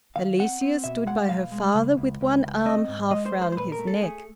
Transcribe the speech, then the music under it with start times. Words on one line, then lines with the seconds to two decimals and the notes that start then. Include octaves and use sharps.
Alicia stood by her father, with one arm half round his neck.
0.16 D#3 F5
0.39 C4 F#5
0.61 C4
0.84 B2 E5
1.07 G#3 F#5
1.29 B2 F5
1.52 G#3
1.75 C#3
1.97 C#2
2.21 C#2
2.44 C#2
2.65 C4 D#5
2.88 G#2
3.11 G#3 D#5
3.26 C5
3.34 G#3
3.42 C5
3.52 C5
3.57 A#2 B4
3.72 A#4
3.79 A3
3.87 A4
4.02 A3 G#4